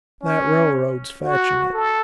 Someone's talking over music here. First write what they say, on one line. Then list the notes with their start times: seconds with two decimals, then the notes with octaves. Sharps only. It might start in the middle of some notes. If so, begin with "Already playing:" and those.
That railroad's fetching it.
0.23 C#4
1.23 F#4
1.73 A4